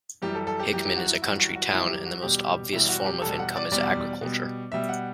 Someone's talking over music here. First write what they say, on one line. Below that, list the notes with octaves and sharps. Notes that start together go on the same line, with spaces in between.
Hickman is a country town, and the most obvious form of income is agriculture.
F#2 E3 G3 G4
A4
A4
G4
F#2 E3 G3 G4
G4
F#4
E4
F#2 E3 G3 F#4
F#4
F#4
F#2 E3 G3 E4
G4
F#4
E2 B2 G3 G4
E2 B2 G3 E4
F#4
G4
E2 B2 G3 A4
F#5
D5
E2 B2 G3 D5
B2 G3
B2 G3 E5
F#5